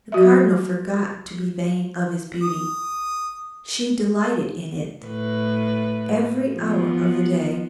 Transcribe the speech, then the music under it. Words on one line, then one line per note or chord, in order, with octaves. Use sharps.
The Cardinal forgot to be vain of his beauty; she delighted in it every hour of the day.
F#3 F#4 E5
D#6
A2 B4
F3 B3